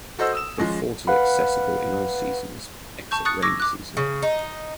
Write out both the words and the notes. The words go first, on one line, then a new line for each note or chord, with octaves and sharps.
The fort is accessible in all seasons except rainy season.
F#4 A4 C5 D#5 F#5 E6
D#6 E6 E7
F3 G#3 C#4
B4 F5 F#5 B5
A5 C#6 G6
C#6 D#6 F#6 A6 C#7
C#6 D6 E6 G#6 A#6
D6 F#6
C#3
D#4